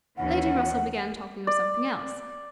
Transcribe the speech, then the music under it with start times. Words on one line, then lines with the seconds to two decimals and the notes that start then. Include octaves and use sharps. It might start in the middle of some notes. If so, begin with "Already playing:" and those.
Lady Russell began talking of something else.
0.17 D#2 E3 C#4 F#5
1.47 D5